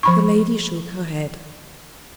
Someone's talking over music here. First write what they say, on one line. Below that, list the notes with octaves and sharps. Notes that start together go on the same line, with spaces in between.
The lady shook her head.
F3 B5 C#6